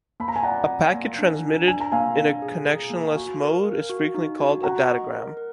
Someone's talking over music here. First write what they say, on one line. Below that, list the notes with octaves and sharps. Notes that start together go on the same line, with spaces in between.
A packet transmitted in a connectionless mode is frequently called a datagram.
A#3 B5
A#5
G#5
D5 F#5 A#5
D5
A#3
D4
D4
D4 G#5
A#5
A#3 F5 G#5
D4
G#4
G#4
A#3
F#4
A#4
A#4
F#4
D#4
F#4
F#4 F#5 A#5
D#5
A#4
A#4